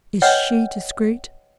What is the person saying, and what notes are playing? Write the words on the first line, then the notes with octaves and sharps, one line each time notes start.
"Is she discreet?"
B4 C#5 D#5 F#5 G5